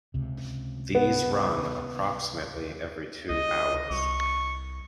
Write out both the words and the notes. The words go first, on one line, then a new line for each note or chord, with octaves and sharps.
These run approximately every two hours.
C#2 C3
B3
C#2 D#5
C2 C#6